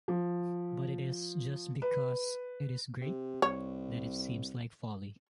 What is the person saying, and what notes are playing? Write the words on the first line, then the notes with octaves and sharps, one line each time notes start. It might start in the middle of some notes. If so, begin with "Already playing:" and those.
But it is just because it is great, that it seems like folly.
F3
B4
C3
C2 C#5